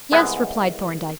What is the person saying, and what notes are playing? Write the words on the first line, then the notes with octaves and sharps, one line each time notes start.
"Yes," replied Thorndyke.
C2 G#3 B3 E4 G#5